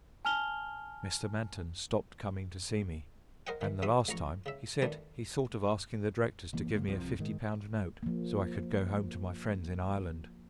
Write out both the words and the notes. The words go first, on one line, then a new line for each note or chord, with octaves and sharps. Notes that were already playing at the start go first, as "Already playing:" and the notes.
Mr. Manton stopped coming to see me; and the last time, he said he thought of asking the directors to give me a fifty-pound note, so I could go home to my friends in Ireland.
G#5 A5 F6 F7 G7
A#4 C5 D#5 F#5 G5
D#3 E3
E2 F#4 E5 C6 D#6
A1 F2 A#5 C#6
C#3 E5
D#3 F#3 G3 A3 B3 D4
E1 E3 A#3
C#3 F#3 G#3 A#3
C2 C3 F3
G#2 D#3 G#3
F3 A#3